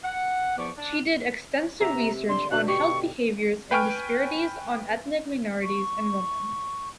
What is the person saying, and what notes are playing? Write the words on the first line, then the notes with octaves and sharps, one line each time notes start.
She did extensive research on health behaviors and disparities on ethnic minorities and women.
F#5
E2 F3 B3 D5 C#6 D6
D4
C3 E5 A#5
D3 C6
B2 D3 F#6
G4 C#6
B4 G5 G#5 C#6 F6 D7
C#6